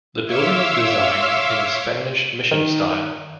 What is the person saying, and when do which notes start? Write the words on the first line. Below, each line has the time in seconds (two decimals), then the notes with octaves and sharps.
The building was designed in the Spanish Mission style.
0.25 C#5 E5 F5 C6 D6 E6
2.51 D#3